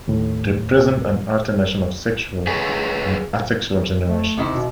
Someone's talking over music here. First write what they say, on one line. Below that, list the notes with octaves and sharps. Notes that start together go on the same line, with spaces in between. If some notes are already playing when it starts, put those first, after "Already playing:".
They present an alternation of sexual and asexual generations.
D#2 A2
G#4 B4 C#5 D#5 G#5
A3
C3 D#3 E4
B2